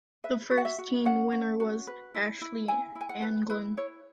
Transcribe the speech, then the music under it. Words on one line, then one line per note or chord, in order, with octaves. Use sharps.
The first teen winner was Ashley Anglin.
B4 E5
F#4
F#5
E5
F#4
C#4 F#5
C#4
F#4
B4
E4
E4
E4 G#5
E4
G#5
F#5
B4
E4 B4
E4 C#5